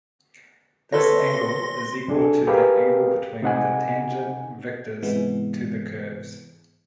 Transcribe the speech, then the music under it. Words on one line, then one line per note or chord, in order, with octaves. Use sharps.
This angle is equal to the angle between the tangent vectors to the curves.
A4 B4 C#5 C6 A#6
C2 D4 G#4 A4
G4 G#4 A#4 B4 F5 G5
C3 D#4 F#5 G#5
G#2 C3 E3 G#3 B3